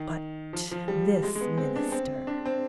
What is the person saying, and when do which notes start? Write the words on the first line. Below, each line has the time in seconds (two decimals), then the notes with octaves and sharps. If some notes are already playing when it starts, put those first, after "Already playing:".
But this minister.
Already playing: D#3
0.53 F3
0.71 F3
0.88 G3
1.23 G#3
1.35 G#3
1.41 B3
1.58 C4
1.76 D4
1.92 C4
2.27 D4
2.45 C4